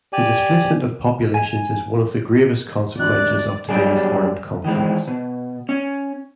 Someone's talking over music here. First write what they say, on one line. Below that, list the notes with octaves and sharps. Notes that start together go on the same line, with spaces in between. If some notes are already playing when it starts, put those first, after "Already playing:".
The displacement of populations is one of the gravest consequences of today's armed conflicts.
G4 D5 G#5
G#5
G#1 D2 G2 D5 F#6
F#3 G3 D4 G#4
D#3 E3 G#3
B2
C#4